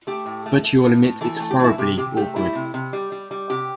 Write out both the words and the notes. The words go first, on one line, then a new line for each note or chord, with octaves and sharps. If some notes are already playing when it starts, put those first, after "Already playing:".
But you’ll admit it’s horribly awkward.
A3 G4
A2
A3
A3
A2
A3
E3 A4
A4
A3
G4
E3 E4
C3 G4
C3 G4
A3 G4
G3 E4
C3
C3
G3
G3
G3
C3 G4